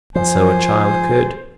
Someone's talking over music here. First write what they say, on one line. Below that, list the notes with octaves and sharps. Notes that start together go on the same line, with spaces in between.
And so a child could.
F3 C5 G#5